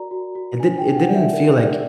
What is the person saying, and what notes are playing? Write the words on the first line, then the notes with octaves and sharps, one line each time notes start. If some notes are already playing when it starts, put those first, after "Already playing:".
it did it didn't feel, like,
Already playing: F#4 A#4 D5 A#5
F#4
F#4
D4 G#5
G5
D4
F#5
D5
E5
A#4
D5